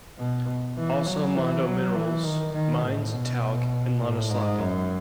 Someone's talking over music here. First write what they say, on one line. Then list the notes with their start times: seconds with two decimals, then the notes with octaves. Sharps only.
Also Mondo Minerals mines talc in Lahnaslampi.
0.18 B2
0.77 E3
1.07 F#3
1.35 E3
1.65 F#3
1.95 E3
2.24 D#3
2.53 D#3
2.83 A2
3.12 B2
4.01 A2
4.30 G#2
4.60 F#2